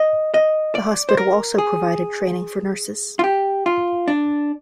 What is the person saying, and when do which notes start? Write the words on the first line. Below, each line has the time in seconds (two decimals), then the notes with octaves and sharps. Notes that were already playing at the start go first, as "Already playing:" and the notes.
The hospital also provided training for nurses.
Already playing: D#5
0.34 D#5
0.75 D5
1.09 C5
1.17 A#4
1.58 G#4
3.19 F4
3.24 G4
3.66 F4
4.08 D4